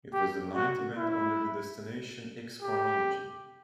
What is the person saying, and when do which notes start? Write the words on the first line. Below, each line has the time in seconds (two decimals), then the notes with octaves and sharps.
It was the ninth event under the Destination X chronology.
0.13 G4
0.55 F#4
0.97 E4
2.62 G4